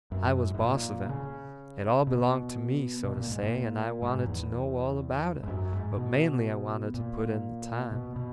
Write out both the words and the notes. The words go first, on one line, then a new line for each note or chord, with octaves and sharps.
I was boss of it; it all belonged to me, so to say, and I wanted to know all about it; but mainly I wanted to put in the time.
F#2
G#2
A#2
C#3
B2
B2
A#2
G#2
A#2
G#2
E2
G#2
F#2
G#2
B2
A#2
B2
B2